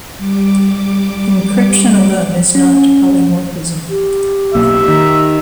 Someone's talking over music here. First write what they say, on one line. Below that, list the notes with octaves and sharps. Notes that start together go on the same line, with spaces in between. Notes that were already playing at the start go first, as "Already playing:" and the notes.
Encryption alone is not polymorphism.
G3 D6
C#4
G4
B1 A#3 E5
D#3